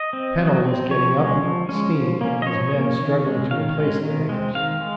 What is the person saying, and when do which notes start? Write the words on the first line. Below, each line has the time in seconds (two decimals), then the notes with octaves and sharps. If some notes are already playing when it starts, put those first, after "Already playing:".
Pennell was getting up steam and his men struggling to replace the anchors.
Already playing: D#5
0.13 C4
0.39 F#3
0.65 C4
0.91 F3 C#5
1.17 G#3 C#4
1.43 F3
1.69 G#3 C#4
1.95 F3
2.21 A#3 C#4
2.42 D#5
2.47 F3 C#5
2.73 A#3 C#4
2.99 D#3
3.25 G#3 C#4
3.51 D#3 F5
3.78 G#3 C#4
4.03 D#3
4.29 G#3 C4
4.55 D#3 F5
4.81 G#3